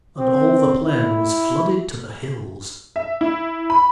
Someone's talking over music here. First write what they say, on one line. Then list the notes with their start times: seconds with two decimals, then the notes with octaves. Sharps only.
And all the plain was flooded to the hills.
0.19 C4
0.83 E4
2.96 E5
3.21 E4
3.70 B5